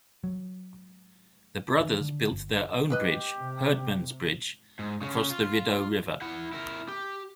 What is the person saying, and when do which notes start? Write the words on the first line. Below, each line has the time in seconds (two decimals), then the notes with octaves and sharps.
The brothers built their own bridge, Hurdman's Bridge, across the Rideau River.
0.24 F#3
1.80 D#3
2.00 D3
2.32 G1
2.90 D4 G4 B4 D#5
3.37 C3
4.79 G#2
5.02 C#3 C#4
5.30 F4
6.22 E4 F#5
6.53 E4 A#4
6.88 G4